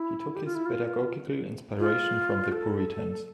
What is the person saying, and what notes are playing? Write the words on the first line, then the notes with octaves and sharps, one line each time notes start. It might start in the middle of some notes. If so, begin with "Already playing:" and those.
He took his pedagogical inspiration from the Puritans.
Already playing: E4
G4
F4
E4
F4
F4
A4